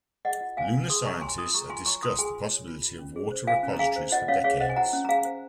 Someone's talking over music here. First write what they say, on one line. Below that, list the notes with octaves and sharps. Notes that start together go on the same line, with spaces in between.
Lunar scientists had discussed the possibility of water repositories for decades.
G#4 D#5 F#5
F4
C#5 F5 G#5
F4
G#4 C6 D#6
F4 A#5 C#6
C#5 G#5 C6
F4 C6 D#6
G#4 A#5 C#6
F4 G#5 C6
C#5 A#5 C#6
F4 C6 D#6
G#4 G#5 C6
F4
C#5
F4
F4
C#4
G#4
C5
F4 F5 G#5
C#4
A#5
G#4 F5 G#5
C5
F4 D#5 F#5
C#4 C#5 F5
G#4 C#5 F5
C5 D#5 F#5
G#5
F4 F#5 A#5
C#4
A#5
G#4 F5 G#5
C5